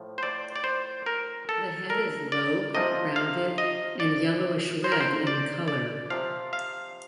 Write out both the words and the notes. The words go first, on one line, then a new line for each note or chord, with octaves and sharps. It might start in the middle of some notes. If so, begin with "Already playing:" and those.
The head is lobed, rounded and yellowish red in colour.
Already playing: A2 F3
C5
D5
D5
C5
A#4
A4
A#4
D5
C3 F3 D#5
F5
D#5
D5
C5
A#4
C5
D5
D5
C3 F3 F5
F5